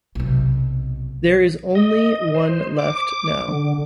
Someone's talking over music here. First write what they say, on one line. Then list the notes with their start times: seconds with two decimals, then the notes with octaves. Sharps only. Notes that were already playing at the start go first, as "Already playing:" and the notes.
There is only one left now.
0.15 B1 C3
1.75 D#5
2.34 C5
2.79 D6
3.48 D3